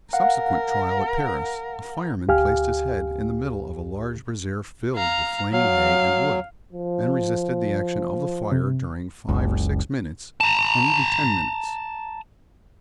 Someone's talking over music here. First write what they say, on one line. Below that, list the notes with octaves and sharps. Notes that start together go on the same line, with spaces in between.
In a subsequent trial, at Paris, a fireman placed his head in the middle of a large brazier filled with flaming hay and wood, and resisted the action of the fire during five or six minutes and even ten minutes.
A#4 F5 F#5
D2 G4 F5 G#5 F6
F5 A#5
F#3 F5
F3
C3
F#1 C#2
A5 A#5